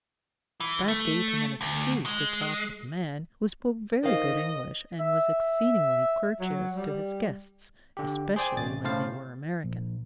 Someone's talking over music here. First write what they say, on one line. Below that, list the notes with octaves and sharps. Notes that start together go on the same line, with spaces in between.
That gave him an excuse to talk with the man, who spoke very good English and was exceedingly courteous to his guests--especially when they were American.
E3
A3
D2
G#3
D#3 C5 D#5 F5
E5
F#3
G3
D3 G4
G#4 C5 D5 G5 G#5
A1 C#3 A6
A2 C#3 C5 F5 A6
A#1